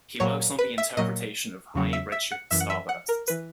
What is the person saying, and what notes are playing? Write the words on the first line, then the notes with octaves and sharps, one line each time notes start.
He works on the interpretation of high redshift starbursts.
A#2 F#3 C#5
B4
E5
A#2 F#3 D#5
E2 C#3 F#3
E5
E5
F#5
F#2 E3 E5
F#5
E5
F#5
A#4
E3 B4